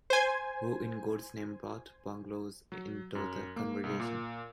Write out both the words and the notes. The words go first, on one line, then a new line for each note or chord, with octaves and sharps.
Who in God's name brought bungalows into the conversation?
C5 G#5
F#3
F#2
A#3
C2
A#2